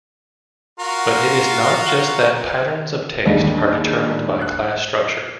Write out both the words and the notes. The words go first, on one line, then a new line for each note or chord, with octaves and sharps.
But it is not just that patterns of taste are determined by class structure.
F4 F#4 A#4
D#2 G3 G#3 D4
F#6